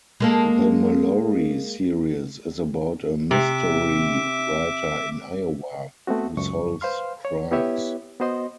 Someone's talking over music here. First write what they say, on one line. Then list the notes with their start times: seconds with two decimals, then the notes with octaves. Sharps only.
The Mallory series is about a mystery writer in Iowa who solves crimes.
0.20 G#3 A#3 A4
3.31 C3 E5 D6
6.07 A3 B3 C4 F#4
6.37 C#2 F#2 C#6
6.81 B4 C5 F5 C6 F6
7.25 C#5
7.51 B3 E4 G4 B4 C#5 E5
8.20 B3 F#4 C5 D#5 C6